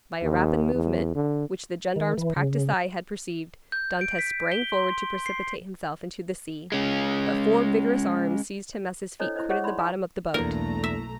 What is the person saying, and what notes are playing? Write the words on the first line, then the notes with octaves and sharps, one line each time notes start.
By a rapid movement, which the gendarme's practiced eye had perceived, Dantes sprang forward to precipitate himself into the sea; but four vigorous arms seized him as his feet quitted the bottom of the boat.
D#2
E2
D3
D#3
E3
C#3
G6
D7
B6
G7
C6
C7
G#3 C#4
D4 E4 A4 C5 C#5 D#5
E4 C5 D#5
G#4 C5 C#5 D#5 F#5 C#6
D#4 D5 B5 C6
D5 F5 G5 G#5 A#5 C#6
B1 E2 A3 A#3 D4 E4 A#4 A#5
E5